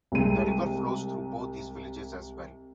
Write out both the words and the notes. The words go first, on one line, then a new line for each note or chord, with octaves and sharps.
The river flows through both these villages as well.
C2 G#3 D#7